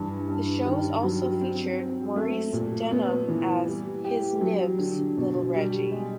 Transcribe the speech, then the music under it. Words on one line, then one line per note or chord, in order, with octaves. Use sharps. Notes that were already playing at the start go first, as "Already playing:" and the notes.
The shows also featured Maurice Denham as "His Nibs" Little Reggie.
Already playing: G2 E3
G2
D#3
F#3
C4
C4
A3
A#2
B3
E3
G3
G4
F#3
D3
B2
G3
G#3